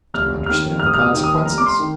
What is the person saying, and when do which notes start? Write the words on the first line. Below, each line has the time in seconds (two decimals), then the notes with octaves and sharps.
"Do you understand the consequences?"
0.14 F1 F6
0.46 D#2 D#3 F6
0.79 F1 F6
0.86 D#6
0.94 F6
1.02 D#6
1.12 D#2 D#3
1.24 D#6
1.45 F1 A#5
1.58 D6
1.66 C6
1.79 D#3